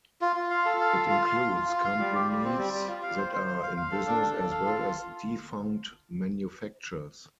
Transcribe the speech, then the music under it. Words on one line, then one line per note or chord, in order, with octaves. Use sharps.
It includes companies that are in business as well as defunct manufacturers.
F4
F4
F5
A4
F5
F4
F4
F5
F4
F4
F4
F5
G3
G4
G3
C4
G3
G3
F4
F5
C5
C5
C5
F5
F5
A4
D4
A4
A4
F5
F4
F4